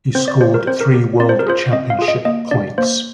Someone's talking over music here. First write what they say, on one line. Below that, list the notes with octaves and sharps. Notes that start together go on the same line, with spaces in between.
He scored three World Championship points.
C4 C5
D5
G4 C5
A#4
C4 C5
A#4
G4
C4 D5
C5
A#4
F4 G#4 C5
C4 D#5
F5
F4 G#4
D#5
A#3 D#5
D4 G4 D5
A#3 C5